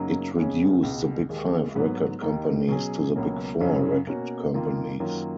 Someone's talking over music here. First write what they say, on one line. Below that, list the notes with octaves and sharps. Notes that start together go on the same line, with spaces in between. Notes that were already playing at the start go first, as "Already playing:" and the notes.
It reduced the Big Five record companies to the Big Four record companies.
Already playing: F#2 C#3 F#3 A#3 D#4
F2 C#3 G#3 C#4
C#2 B2 G#3
D#2 D#3 G#3
G#2 F#3 B3
D#2 D#3 A#3 D#4
B2 F#3 C#4 G#4
C#2 B2 F#3 A#3 C#4
F#2 C#3 F#3 C#4 F4
B2 A#3 C#4 F#4
F2 D#3 A#3 F4
F#2 D#3 F#3 A#3 F4